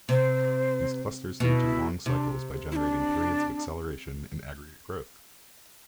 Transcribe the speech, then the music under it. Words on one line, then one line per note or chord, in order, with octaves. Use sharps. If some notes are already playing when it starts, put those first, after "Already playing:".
These clusters lead to long cycles by generating periods of acceleration in aggregate growth.
C3 C5
B2 E4 F#4
C3 D4 E4
E4
D4